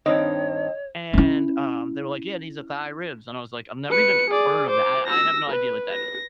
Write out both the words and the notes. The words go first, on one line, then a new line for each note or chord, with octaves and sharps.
And, um, they were like, "Yeah, these are thigh ribs." And I was like, "I've never even heard of that I I have no idea what that is."
G2 D#3 C4 C#5 D#5
C#4 E4
B4 C#7
G#4 D5
C5 D6
E6 A#6
B4
A#6